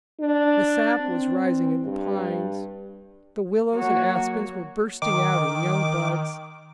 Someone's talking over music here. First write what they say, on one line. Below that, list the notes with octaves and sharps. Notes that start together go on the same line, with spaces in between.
The sap was rising in the pines. The willows and aspens were bursting out in young buds.
D4
C4
G2
F#3 A#3 F#4 C#5
D#3 D6